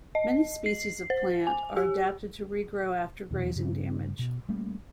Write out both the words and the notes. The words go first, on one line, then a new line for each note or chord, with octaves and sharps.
Many species of plant are adapted to regrow after grazing damage.
D#5
C7
C5
G#5
G4
D#1 E2 B2 E3
G2 C#3
B2
G3 A3 A#3 C#4